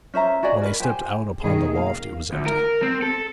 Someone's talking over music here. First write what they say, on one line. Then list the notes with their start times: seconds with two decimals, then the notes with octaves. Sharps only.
When they stepped out upon the loft it was empty.
0.14 C#4 C5 E5 A#5
0.43 F#4 G#4 D5 D#5
0.62 A#4 B4
0.80 G4 C5 G#5
1.41 B2 D#3 A3 C#4 G#4
1.72 A#3 F5
2.33 D2
2.46 A#4
2.82 C4
3.02 A4